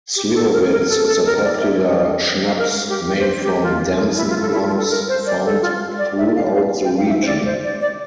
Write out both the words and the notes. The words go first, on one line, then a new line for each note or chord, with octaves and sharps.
Slivovitz is a popular schnapps made from Damson plums found throughout the region.
G4
A4
A#4
A#4
A4
A4
A#4
D5
E5
F5
A#4
G4
G4
C5
G4
F4
E4
F4
A4
E4
F4
A4
A#4
C5
D5
A4
F4
D5
E5
F5
F5
G5
F5
E5
C5
D5
C5
D5
D5